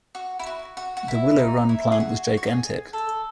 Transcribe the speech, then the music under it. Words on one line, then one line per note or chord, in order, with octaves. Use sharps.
The Willow Run plant was gigantic.
F#4
E4
F#4
F#4
F#4
E4
D#4
E4
G#4
F#4
F#4
G#4
A4